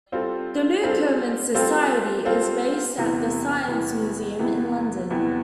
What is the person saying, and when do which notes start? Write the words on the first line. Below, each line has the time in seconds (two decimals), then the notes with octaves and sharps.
The Newcomen Society is based at the Science Museum in London.
0.12 G3 C4 F4 A4 C5
0.83 G3 C4 F4 A4 C5
1.54 G3 C4 F4 A4 C5
2.25 G3 C4 F4 A4 C5
2.97 E2 C3 E3 G3 B3
3.68 E2 C3 E3 G3 B3
4.39 E2 C3 E3 G3 B3
5.10 E2 C3 E3 G3 B3